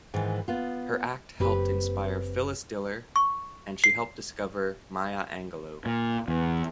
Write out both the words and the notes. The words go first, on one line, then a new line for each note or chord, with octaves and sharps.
Her act helped inspire Phyllis Diller and she helped discover Maya Angelou.
G#2 D#3 E3
B3 F4
F#1 C4 G4 B4
C#6
C7
A#2
E2